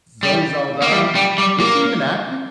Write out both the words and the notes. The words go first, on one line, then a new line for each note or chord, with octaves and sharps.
Zoe Saldana, is she even acting?
G3
A#3
G3
G3
G3
A#3